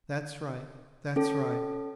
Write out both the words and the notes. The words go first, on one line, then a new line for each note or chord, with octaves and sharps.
That's right, that's right.
C#4 A4